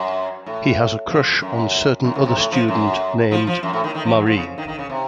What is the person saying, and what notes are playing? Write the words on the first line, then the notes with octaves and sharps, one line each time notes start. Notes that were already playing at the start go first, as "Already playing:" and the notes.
He has a crush on certain other student named Marie.
Already playing: F#2
A2
F3
F#2
F#2
A2
C3
A2
F3
F#2
F3
F3
F#2
A2
D#3
D#3
F3
F#3
F3
C#3
D#3
D#3
C#3
C3